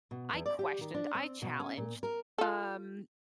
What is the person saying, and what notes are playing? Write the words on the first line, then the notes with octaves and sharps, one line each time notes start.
I questioned, I challenged. Um,
B2
E2
D5
G4
D#3
D4
C4
B2
C#4
A#2
A#4
F4 A4